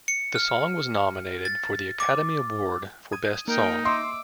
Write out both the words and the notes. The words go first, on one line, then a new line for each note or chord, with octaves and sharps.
The song was nominated for the Academy Award for Best Song.
C#7
F6
A6
D6
D#6 G#6 D#7
A#3 D#4 A#4 G5
D#5 E5 C6 D6 E6